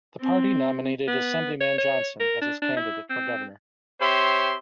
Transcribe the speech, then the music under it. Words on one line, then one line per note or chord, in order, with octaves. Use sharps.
The party nominated Assemblyman Johnson as its candidate for governor.
C4
B3
C#5
C#5
A#4
D4
D4
E4
C4
C4 G4 C5 C#5 E5 C6